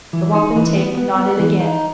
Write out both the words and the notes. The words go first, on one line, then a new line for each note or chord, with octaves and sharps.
The wapentake nodded again.
E3
D#4
E3
B3
B3
B3
E3
D#4